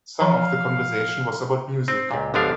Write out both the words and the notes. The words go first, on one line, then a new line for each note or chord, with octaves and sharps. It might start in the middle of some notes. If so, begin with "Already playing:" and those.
Some of the conversation was about music.
E3 F3 F5 A#5
C4
C#2 A#2
G1 C#2 D3 F3 D4 F5